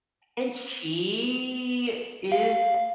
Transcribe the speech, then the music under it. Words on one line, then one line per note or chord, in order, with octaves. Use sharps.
and she is
F5